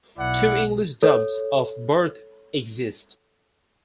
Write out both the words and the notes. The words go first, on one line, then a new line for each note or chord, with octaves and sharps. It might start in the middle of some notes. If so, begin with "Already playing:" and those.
Two English dubs of "Birth" exist.
B1 E4 D5 F#5
A4 C#5